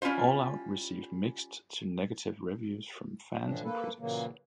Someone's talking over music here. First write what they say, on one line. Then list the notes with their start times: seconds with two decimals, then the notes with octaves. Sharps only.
All Out received mixed to negative reviews from fans and critics.
0.02 G3 C#4 E4 F4 C5
3.44 A2 E3 F3 D4
3.64 A#3 A4 B4
3.99 A#2 C#3 E3 F#3 A#3